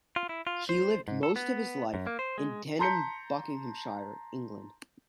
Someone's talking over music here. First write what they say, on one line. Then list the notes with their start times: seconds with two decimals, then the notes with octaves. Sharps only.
He lived most of his life in Denham, Buckinghamshire, England.
0.16 F4
0.29 E4
0.47 F4
0.69 C5
1.08 G#2
1.23 A4
1.36 B3
1.94 F#2
2.07 A#3
2.19 C5
2.38 G#3
2.79 A5 A#5 C6 G6 B6 C#7